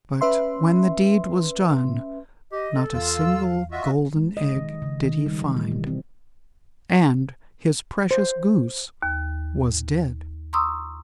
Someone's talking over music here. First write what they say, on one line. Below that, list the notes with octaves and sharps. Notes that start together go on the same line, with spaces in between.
But when the deed was done, not a single golden egg did he find, and his precious Goose was dead.
C#4 B4 E5 C6
G4 D#5
A4
E2 F4 F5 E6
F4 F#4 D#5 E5
G#3
D#5
D#3
C#3
D#3
G3
E3
G3
B2
C4
C5
D#2
A#5 C6 C#6 D#6 E6